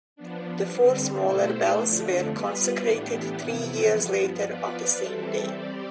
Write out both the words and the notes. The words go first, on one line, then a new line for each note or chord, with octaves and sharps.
The four smaller bells were consecrated three years later on the same day.
F3 B3 D4
D3 G3 C4
B2 A3 E4 A4 C5
F2 D3 F3 A3 D4
G3 B3 F4 B4
A2 E3 B3 D4 G4
F2 C3 E3 B3 E4
G2 F3 B3
F3 B3 F4 B4 D5
E3 G3 C4 E4 A4
G3 C4 G4 D5